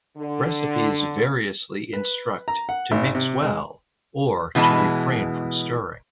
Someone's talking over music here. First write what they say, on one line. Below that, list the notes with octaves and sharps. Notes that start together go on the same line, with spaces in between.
Recipes variously instruct to mix well or to refrain from stirring.
D3
B4
A#5
F#5
G#1
C3
G#3
B2 E3 G#3 A5